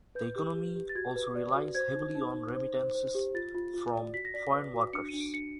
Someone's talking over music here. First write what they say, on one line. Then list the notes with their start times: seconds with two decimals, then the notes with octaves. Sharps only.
The economy also relies heavily on remittances from foreign workers.
0.15 B4 G6
0.36 G4
0.55 G4
0.75 G4
0.89 A6
0.95 F#4 G#6
1.16 B4
1.35 D5
1.55 F#4
1.75 C5 G#6
1.95 D#4
2.15 D#4
2.35 D#4
2.55 C5
2.75 C5
2.95 C5
3.15 G4
3.34 F4 A6
3.54 F4
3.74 F4
3.94 D5
4.14 F#4 B6
4.25 A#6
4.34 D5 B6
4.54 B4
4.73 F#4
4.93 D4 C#7
5.09 D4 D#7
5.21 D7
5.33 D4 C#7